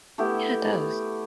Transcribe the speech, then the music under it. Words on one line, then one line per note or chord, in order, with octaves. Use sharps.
Yeah. It does.
A3 B3 E4 G4